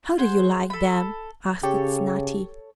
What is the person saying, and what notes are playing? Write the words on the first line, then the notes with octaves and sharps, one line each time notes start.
'How do you like them?' asked Snati.
G#4 C5 F#5
A4 B5
C#3 G4 A4 C#5